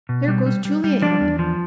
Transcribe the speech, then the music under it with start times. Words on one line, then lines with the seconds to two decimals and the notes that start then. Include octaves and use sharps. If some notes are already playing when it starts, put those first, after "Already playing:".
There goes Julia in.
0.09 B2
0.28 G3
0.46 G3
0.65 G3
0.84 G3
1.02 F3 D4 D5
1.21 E2
1.39 F3